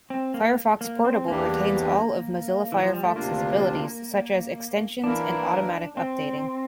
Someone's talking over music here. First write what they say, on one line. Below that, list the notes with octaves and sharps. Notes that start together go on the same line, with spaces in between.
Firefox Portable retains all of Mozilla Firefox's abilities such as extensions and automatic updating.
C4
A#3
A#3
C4
E2 E3 G3 A#3 D4 G4
E3
F3
G3
A3
D2 C3 G3 A#3 D4 F4
E3 A#3 D4 E4 A#4
C4